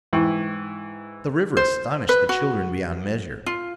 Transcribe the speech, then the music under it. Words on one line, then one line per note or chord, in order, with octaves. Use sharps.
The river astonished the children beyond measure.
G#2 E3 E4 G5 C#6
C5
B4
F#4
F4